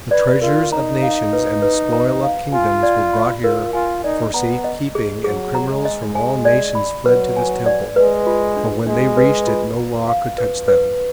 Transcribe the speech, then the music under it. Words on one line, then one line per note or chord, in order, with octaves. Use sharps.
The treasures of nations and the spoil of kingdoms were brought here for safe keeping and criminals from all nations fled to this temple, for when they reached it no law could touch them.
B4 D5
F4 A#4
D#4 A#5
F5
B4
B4
A#5
F5
F4 G#5
D5
B5
F4 A#4
F4 G#5
D#4 D5
B3 A#5
D#5
G#4
F#3 G#4
A#5
G#3
D#5
G#5
D5
B5
F#3 B4
G#5
D5
G#3 B4
F4
D4
G#3 D4
B4
F4
A#5
F5
B4
B4